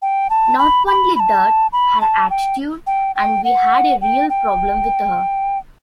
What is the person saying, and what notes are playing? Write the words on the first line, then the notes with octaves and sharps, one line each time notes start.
Not only that, her attitude, and we had a real problem with her.
G5
A5
B5
B5
B5
A5
B5
A5
G5
G5
G5
F#5
G5
G5